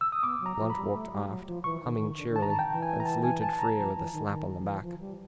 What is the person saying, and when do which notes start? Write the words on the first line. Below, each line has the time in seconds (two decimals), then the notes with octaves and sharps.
Blunt walked aft, humming cheerily, and saluted Frere with a slap on the back.
0.01 E6
0.12 D#6
0.23 B3 D6
0.40 F#3
0.46 A#5
0.58 F3
0.70 B5
0.76 G3
0.93 A3
1.12 G3
1.29 F#3
1.47 F3
1.64 E3 C#6
1.82 D#3
2.00 D#3
2.17 D3
2.29 D3
2.36 D#3 A5
2.42 A#5
2.50 A5
2.59 G5
2.70 E3
2.83 G#5
3.00 A#5
3.05 A5
3.23 G#5
3.42 A5
3.53 A5
3.59 A#5
3.77 F3
3.95 E3
4.12 D#3
4.30 D#3
4.59 F3
4.65 E3
4.82 F3
5.00 G3